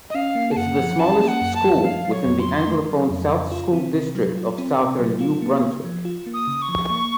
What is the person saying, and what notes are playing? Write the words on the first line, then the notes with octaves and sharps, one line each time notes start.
It's the smallest school within the Anglophone South School District of Southern New Brunswick.
D#5
C#4 F5
A#3
A5
F#2 F#5
F3
C#4 A5
A#3
F#5
F#2
A5
F3
A3 F5
F#3
C#5
F2
C6
C#3
A3
F#3
F2
C#3
F4
C4
C3
F#3
F4
C4
C3
F#3
F4
A#3
C#3
F3
F4
A#3
D#6
C#3
C#6
F3
A#3